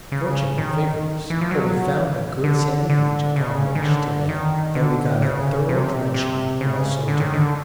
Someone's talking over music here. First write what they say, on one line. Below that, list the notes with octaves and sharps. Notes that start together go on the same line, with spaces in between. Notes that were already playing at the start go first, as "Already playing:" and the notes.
Fortune favored us, for we found a good sandy beach upon which to land, though we got a thorough drenching while so doing.
C#3
D#3
E3
F3
F#3
D3
D3
C#3
D#3
D3
D#3
D3
C#3
C3
C3
C#3
D3
D#3
D3